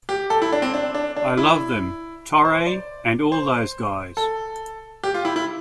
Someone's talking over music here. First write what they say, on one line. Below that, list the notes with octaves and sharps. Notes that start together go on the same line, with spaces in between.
I love them, Torre and all those guys.
G4
A4
E4
D4
C4
D4
D4
D4
E4
C5
D5
C5
A4
G4
F4
E4
E4